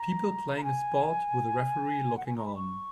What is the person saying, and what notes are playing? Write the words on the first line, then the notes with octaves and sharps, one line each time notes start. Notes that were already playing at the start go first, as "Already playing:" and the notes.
People playing a sport with a referee looking on.
Already playing: A#5
A#5
G#5
F#5
G#5
A#5
B5
C#6